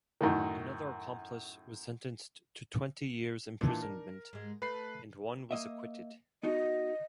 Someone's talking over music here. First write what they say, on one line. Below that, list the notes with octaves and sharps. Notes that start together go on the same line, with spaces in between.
Another accomplice was sentenced to twenty years imprisonment and one was acquitted.
F#2 A2 D#3
A#2 E3 D4 D#4
A#4
G#2 G#3
A3 B4 B5 C7
A#3 D#5 E5
B3 D#4 F#4 D#5